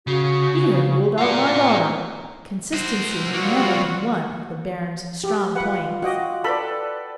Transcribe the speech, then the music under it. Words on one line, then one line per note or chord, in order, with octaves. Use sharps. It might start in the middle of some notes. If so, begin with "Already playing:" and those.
"He had ruled out my daughter." Consistency had never been one of the Baron's strong points.
C#3 F#4
F4 D5 F#5
A#5
F#4 C5
F#3 G3 A#3 F4 F#4
G4
F4 B4 F#5
F#4 D#5 F#5 G5 D6
A4 B4 D5 B5